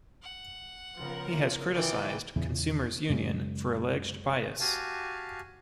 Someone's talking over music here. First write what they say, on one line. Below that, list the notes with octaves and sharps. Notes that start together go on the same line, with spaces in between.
He has criticized Consumers Union for alleged bias.
F#5
C#2 C#3 F3 B3 F4 A#4
A#3 E4
D#3 E3 D5 G5
E2 A#2 C#3 E3
F#2 C#3 G#3
F#4 G4 F5 G#5 A5